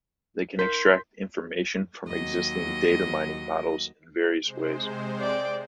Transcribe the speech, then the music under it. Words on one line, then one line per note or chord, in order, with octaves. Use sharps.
They can extract information from existing data mining models in various ways.
A#4 C6 G6 B6
D#2 F#3 D#5
C3 G#3 C5
D5 G5